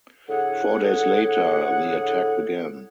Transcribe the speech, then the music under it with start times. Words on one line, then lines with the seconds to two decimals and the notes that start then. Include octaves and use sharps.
Four days later, the attack began.
0.28 A2 D3 G#4 F#5